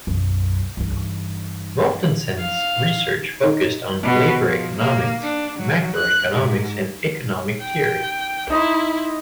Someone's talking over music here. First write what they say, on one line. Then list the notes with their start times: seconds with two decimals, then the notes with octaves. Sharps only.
Mortensen's research focused on labor economics, macroeconomics and economic theory.
0.07 B1 F#2
0.77 G2 E3
2.39 F5
3.43 D#4
4.03 B2
4.43 F3
4.78 A#3
5.24 D4
5.60 F#3
5.97 F#6
6.35 G#2
7.62 G5
8.50 D#4 E4 D#5 C6